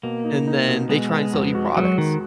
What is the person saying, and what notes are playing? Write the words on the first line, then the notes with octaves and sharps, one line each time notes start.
and then they try and sell you products.
B2 A#3
D#4
D#4
B2
G#3 B3
B3
F2
F#4
F#3 G#3
D#3 F#4